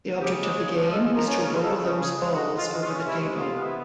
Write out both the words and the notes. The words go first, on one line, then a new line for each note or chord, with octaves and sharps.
The object of the game is to roll those balls over the table.
C#3 G4
G#3
C#3 G#4
F3
G#3 A4
F3
A#4
C#4
A#4
C#3
G#3 A4
C#3
C#3 G#4
G#3
G#3 F#4
G#3
F4
G#3
F4
C#4
C3 E4
G#3
E4
C3 F4
B3
E4